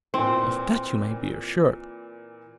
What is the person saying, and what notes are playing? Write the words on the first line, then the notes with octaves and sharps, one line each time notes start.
Of that you may be assured.
A#2 E3 C4